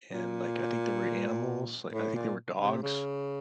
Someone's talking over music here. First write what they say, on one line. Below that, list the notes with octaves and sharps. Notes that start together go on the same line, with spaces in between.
and, like, I think there were animals, like, I think there were dogs,
A#2
A2
A#2
C3
C#3